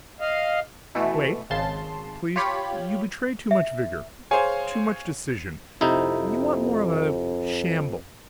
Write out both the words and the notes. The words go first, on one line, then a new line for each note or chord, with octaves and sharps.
Wait, please; you betray too much vigor, too much decision; you want more of a shamble.
D#5 F5
B2 E3 A3
G#1 C#3 A5 C6
F4 G4 C#5 B5
E5
G#4 C5 C#5 F5 G#5
F2 C3 D#4 E4